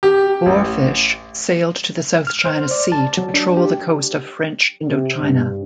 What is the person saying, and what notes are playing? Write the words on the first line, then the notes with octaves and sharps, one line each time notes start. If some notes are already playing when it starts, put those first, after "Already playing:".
"Boarfish" sailed to the South China Sea to patrol the coast of French Indochina.
G4
A1
F6
C5
D5
A5
F#3
D4
G4
C3
G2